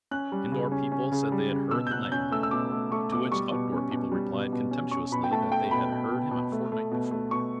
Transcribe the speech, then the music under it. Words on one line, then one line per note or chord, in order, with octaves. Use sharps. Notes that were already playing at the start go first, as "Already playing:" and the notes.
In-door people said they had heard the nightingale, to which out-door people replied contemptuously that they had heard him a fortnight before.
C#4 F#6
G3
C#3
C#4
C#4
C#3
G3
C#3
B2 E6
G6
B2 F#6
C#4 G6
A3 E6
E6
B2 D6
A3
A3 C#6
B2 D6
G3 C#6
B2
C#4
B2
G3
B2
B2
C#4
C#4 C#6
B2 B5
G5
A3 A5
A3 G5
B2 B5
B2
B2
B2
A3
A3
B2
A3
B2 C#6